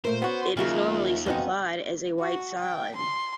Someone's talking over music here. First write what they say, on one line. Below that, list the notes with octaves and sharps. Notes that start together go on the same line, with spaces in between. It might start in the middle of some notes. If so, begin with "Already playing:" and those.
It is normally supplied as a white solid.
A#2 A3 A#4 C5
B3 C#4 F#4
D#2 C#3 F#3 A#3 F4 E5
F2 B3 C#4 D#4 F#4 F5 G5
F#4
G5
C6